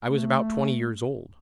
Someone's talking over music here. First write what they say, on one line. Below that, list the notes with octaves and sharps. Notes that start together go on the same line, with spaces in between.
I was about twenty years old.
A3